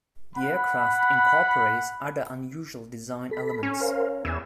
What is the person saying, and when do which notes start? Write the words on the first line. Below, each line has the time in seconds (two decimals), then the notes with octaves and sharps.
The aircraft incorporates other unusual design elements.
0.37 F#5 B5
3.31 A4 B5
3.63 C#4
3.80 A#4 C5 F5
4.25 E2 G#5 E6